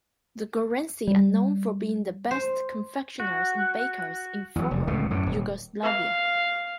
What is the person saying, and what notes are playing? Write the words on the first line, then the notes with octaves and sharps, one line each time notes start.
The Goranci are known for being "the best confectioners and bakers" in former Yugoslavia.
G3
C5
F#4
E2 F#3
F1
D1 C#2 B2 A3
F#2 A2 D3
D#1
F5